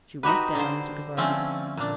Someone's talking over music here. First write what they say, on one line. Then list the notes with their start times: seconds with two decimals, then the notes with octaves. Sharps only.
She went down into the garden.
0.23 D#4 F#4 G4 B4
0.55 D3 C5
1.17 D3 F3 A3 C4 C#4
1.77 A#2 D4